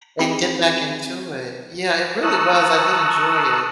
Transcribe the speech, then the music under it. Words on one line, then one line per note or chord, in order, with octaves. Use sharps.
and get back into it. Yeah, it really was. I did enjoy it.
C4 D#4 G4 G#4 B5
A5 A#5 C#6 D#6 E6 F#6